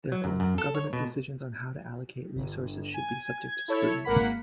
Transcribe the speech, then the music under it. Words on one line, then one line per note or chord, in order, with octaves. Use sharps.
Therefore, government decisions on how to allocate resources should be subject to scrutiny.
F#3
F#2
F#2
A4
C#5
B2
G1
G#5
G#6
E4 A4 C#5
G#1 A#3 F#5 B5 B6